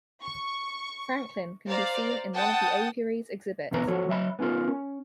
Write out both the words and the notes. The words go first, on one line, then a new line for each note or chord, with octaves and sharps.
Franklin can be seen in one of the aviary's exhibits.
C#6
C5 D5 F5 A#5
F#5 G5 A5 D#6
E2 B2 D#4 F4 B4 A#5
F3 F#4 A4 C#5
F#3 D#5 E5 G5 B5
B3 C#4 D#4 F4 A#4
C#4